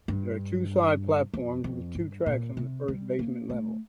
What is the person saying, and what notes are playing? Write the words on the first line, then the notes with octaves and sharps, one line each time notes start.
There are two side platforms with two tracks on the first basement level.
G2
F2
F2
G2
A#2
C3
G3
A#3
A3